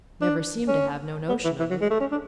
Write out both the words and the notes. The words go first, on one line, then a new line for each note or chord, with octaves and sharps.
Never seemed to have no notion of it.
D4
C#4
B3
E3
E3
F#3
G#3
A3
C#4
D4